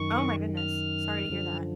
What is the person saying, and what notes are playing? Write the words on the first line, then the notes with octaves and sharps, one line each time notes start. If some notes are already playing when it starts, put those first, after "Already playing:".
Oh my goodness. Sorry to hear that.
Already playing: F#2 D#3 C#6
F6
F#2 D3 F3